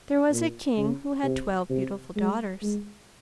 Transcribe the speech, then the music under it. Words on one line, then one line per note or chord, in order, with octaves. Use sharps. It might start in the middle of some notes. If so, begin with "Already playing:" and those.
There was a king who had twelve beautiful daughters.
A#2
C#3
C3
C3
G#3
G#3